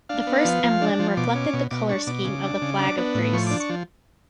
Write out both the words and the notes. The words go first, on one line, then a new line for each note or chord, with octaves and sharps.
The first emblem reflected the colour scheme of the Flag of Greece.
D4 F5
B3
F3
F3
D4
F3
B2 D6
C#4
B2
B2 D6
D4 C#6
B2 D6
C#3
D4
C#3
D4
B3
A2
F3 C#6
D4 D6
C#6
F3